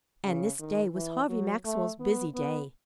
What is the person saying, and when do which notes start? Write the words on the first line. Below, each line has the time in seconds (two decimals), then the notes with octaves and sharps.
And this day was Harvey Maxwell's busy day.
0.25 C#3
0.59 D#3
0.94 E3
1.29 F#3
1.65 A3
2.00 B3
2.34 B3